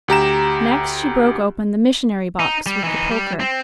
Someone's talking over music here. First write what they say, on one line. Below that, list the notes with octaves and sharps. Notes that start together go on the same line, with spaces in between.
Next she broke open the missionary-box with the poker.
D2 G4 A#5 E7
D#4
G3
E3 D#4
G3
C4